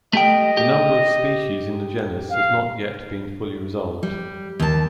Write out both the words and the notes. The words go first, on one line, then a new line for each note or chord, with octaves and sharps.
The number of species in the genus has not yet been fully resolved.
A3 G4 D#5 G5
G4
F5
G3
D#2 A5